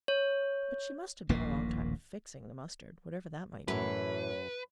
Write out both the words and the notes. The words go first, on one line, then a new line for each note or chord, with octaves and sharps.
But she must have been a long time "fixing" the mustard; whatever that might mean.
C#5
D#1 A#1 A2 A#3
F#2 A2 E3 B4 C#5